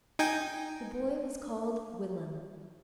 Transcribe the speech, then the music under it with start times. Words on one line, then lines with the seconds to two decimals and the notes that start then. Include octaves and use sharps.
The boy was called Willem.
0.19 D#4 G5 G#5